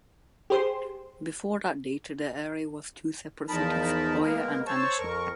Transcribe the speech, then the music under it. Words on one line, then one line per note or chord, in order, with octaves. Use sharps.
Before that date, the area was two separate cities Hoya and Tanashi.
G4 G#4 C5 C6
E2 F3 D#4 A#4 A5 B5
G#3 A#3 B3 A#4
C5 C#5 A5 C#6 E6
F2 A#4 C#6